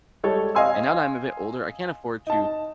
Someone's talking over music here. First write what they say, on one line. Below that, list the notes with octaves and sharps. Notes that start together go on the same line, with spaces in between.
and now that I'm a bit older, I can't afford to
G3 G#3 A4 C#5
D#5 F5 G#5 C6 E6
D#4 A5